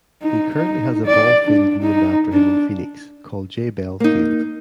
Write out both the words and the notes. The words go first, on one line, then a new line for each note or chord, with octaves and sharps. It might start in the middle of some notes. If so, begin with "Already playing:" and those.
He currently has a ballfield named after him in Phoenix, called Jay Bell Field.
D#4
D#4
D5
D4
D#4
D4
A#3 D#4